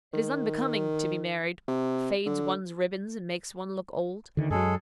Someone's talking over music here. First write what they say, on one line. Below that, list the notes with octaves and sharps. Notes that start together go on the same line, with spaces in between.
It is unbecoming to be married--fades one's ribbons and makes one look old.
D#3
C3
D3
D2 D3 D#3
F#2 F#3 G#3 G#4 A4